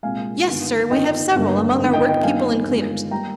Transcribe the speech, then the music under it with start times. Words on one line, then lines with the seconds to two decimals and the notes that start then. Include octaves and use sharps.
Yes, sir, we have several among our workpeople and cleaners.
0.03 C2 A#2 G#3 F5 G#5
0.47 G1 G2 D#3
0.91 G1 F2 D#3 D#5 G5
1.35 G1 G2 G3 A#3
1.79 G1 F2 D#3
1.93 D#5 G5
2.09 D#5 G5
2.23 G1 F2 D#3 G3 A#3 F5 G#5
2.67 G1 F2 D#3 G#3
3.11 G3 A#3 G5 A#5